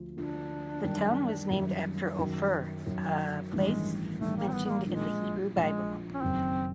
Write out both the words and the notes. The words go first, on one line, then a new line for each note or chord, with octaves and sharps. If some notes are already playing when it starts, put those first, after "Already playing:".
The town was named after Ophir, a place mentioned in the Hebrew Bible.
Already playing: D2 D3 F3
D2 D3 F3 D4
F#2 D#3 G3
F#2 D#3 G3
F#2 D#3 F#3
F#2 D#3 F#3
A1 G2 D#3 G3 G#3
A1 G2 D#3 G3 A3
A#3
C4
B3
B3
A#3
A#1 A#2 F3 G#3
A#1 A#2 F3 G#3
C#4
F#1 F#2 D#3 C4